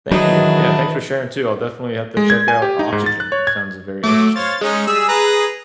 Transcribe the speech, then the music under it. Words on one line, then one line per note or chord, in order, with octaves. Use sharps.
Thank you, yeah, thanks for sharing too. I'll definitely have to check out oxygen, that sounds very interesting.
D#3 E3 F#3 D4 D#4 G#4 B4
G#3
G#6
G#5
G4
D#4
G#2
A6
F#6
C#5
G#6
F#3 A3 D6
C5 C#5 F5 A6
G#3 C#4 D#4
G3 G#4 E6
B4 A#5